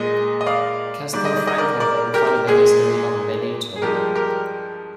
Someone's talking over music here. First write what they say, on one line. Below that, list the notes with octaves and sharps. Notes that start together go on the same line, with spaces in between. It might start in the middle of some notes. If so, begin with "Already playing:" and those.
Castelfranco then followed the history of Veneto.
Already playing: A#2 G#3 D#5
D#5
D5 F5
G#2 G3 D5
D#5
D5
D#5
A#4 D5
A#4 D5
G4 A#4
A#2 G#3 G#4
G#4
G2 F3 G#3 G4 A#4
G4 A#4